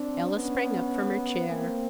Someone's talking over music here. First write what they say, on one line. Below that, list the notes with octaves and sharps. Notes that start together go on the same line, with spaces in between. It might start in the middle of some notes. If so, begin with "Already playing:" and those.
Ella sprang up from her chair.
Already playing: C4 D4
B3 C#4
A#3 C4